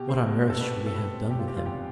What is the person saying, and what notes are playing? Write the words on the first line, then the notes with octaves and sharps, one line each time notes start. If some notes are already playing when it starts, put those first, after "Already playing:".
"What on earth should we have done with him?"
Already playing: B2 G4
A3 C5
B2
C4
A4
B2 B4
A3
A4
B2 B4
C4
E2 G4
F4
C3 G4
F4
E2 G4